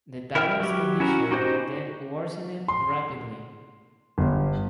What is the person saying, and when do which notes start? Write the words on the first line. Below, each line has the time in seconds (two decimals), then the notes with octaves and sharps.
The tower's condition then worsened rapidly.
0.35 E4 A#4 E5 G5 F6
0.60 F#3 G4
1.00 C#4 E4 F#4 A#4
1.31 D#4 F#4 G4 C5 D#5
2.68 C6
4.18 G1